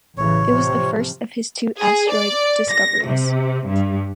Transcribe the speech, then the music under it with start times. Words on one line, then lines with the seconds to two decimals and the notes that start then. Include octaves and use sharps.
It was the first of his two asteroid discoveries.
0.18 A1 C#3 E3 C#5
0.48 C3 F3
1.80 G#4
2.09 D5
2.70 A#6
3.07 C3
3.67 G2